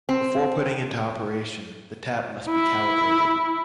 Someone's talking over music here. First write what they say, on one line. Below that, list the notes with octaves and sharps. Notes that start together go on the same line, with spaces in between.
Before putting into operation the tap must be calibrated.
C4
E4